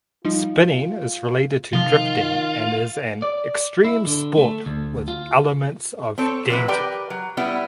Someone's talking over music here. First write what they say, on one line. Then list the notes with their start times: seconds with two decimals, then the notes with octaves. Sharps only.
Spinning is related to drifting and is an extreme sport with elements of danger.
0.25 F3 G3 D#4 F4
1.73 C3 D#3 F3 F4
3.22 D5
3.84 E4
4.07 D3
4.38 A3
4.66 D2
5.08 F4
6.18 C4 A4 C#5
6.49 C3 E3 F#3 B4
6.68 G4 A#4 B4 D5 G5
7.10 F#3
7.37 G3 B3 C#4 E4